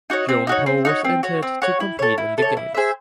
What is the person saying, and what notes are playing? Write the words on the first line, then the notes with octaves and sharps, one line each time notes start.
Joan Poh was entered to compete in the Games.
D#4 F#4 C#5
C4
D#4 F#4 C#5
C4
D#4 F#4 C#5
C4
F#4 C#5
C4
F#4 C#5
E4
A4 C#5
E4
A4 C#5
E4
G#4 C5 E5